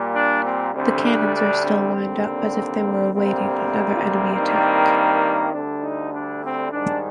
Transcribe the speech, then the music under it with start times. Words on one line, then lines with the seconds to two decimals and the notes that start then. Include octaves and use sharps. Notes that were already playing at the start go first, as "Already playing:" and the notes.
The cannons are still lined up, as if they were awaiting another enemy attack.
Already playing: A#2 G3 A#3
0.14 D4
0.45 C4
0.74 D2 D3 G3 C4
1.05 D4
1.35 D4
1.64 C4
1.93 D#2 D3 G3 A#3
3.13 D2 C3 G3 A#3 C4
4.34 G2 D#3 G3 A#3
5.53 D2 D3 G3 D4
5.83 D#4
6.12 D4
6.43 C4
6.72 G#2 D#3 G3 D4